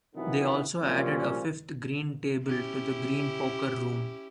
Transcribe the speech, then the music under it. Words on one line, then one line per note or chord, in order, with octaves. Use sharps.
They also added a fifth green table to the Green Poker Room.
C3 D#3 E3 F#3 A#3 B3
F#2 A#2 F3 G3 C#4
C#4 E4 G4